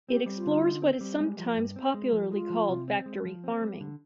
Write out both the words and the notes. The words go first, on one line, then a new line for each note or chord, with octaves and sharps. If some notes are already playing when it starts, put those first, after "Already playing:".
It explores what is sometimes popularly called factory farming.
C4 G4
G3
F4
D3
D#4
C4
G3
G#3
F3
G2
C4
G#3
F3
G#3 F4
F3
C3
C4
G#3
F3
C4
G3
D3